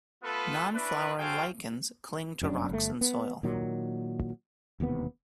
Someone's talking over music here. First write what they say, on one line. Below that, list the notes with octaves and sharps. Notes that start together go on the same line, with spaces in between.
Non-flowering lichens cling to rocks and soil.
A3 B3 F4 A4 B4
C#4 D4 E4 B4
F#4 G#4 A4 C5 F5 G5
F1 F#2 F#3 D4
G1 A3
B3
A#2 D#3 F#3
E1 D#2 C3 B3